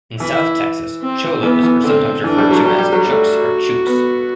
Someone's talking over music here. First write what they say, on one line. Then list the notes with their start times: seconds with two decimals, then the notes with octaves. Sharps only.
In South Texas, cholos are sometimes referred to as chucs or chukes.
0.20 E3 E4
1.02 C4
1.43 E3 B3
1.63 E3
1.84 D3 C4
2.24 E3 D4
2.38 G3
2.51 F#3
2.65 F#3 G4
2.78 G3
2.92 F#3
3.05 A3 F#4
3.87 B3